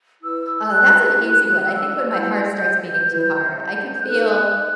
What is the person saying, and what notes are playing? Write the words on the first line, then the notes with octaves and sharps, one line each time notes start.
Oh, that's an easy one, I think when my heart starts beating too hard, I can feel,
E4 B4 E6
F#6
E4 B4 F#6
F#6
E6
E4 B4 G6
E4 B4
D#4 A4 C5 F#6
F#6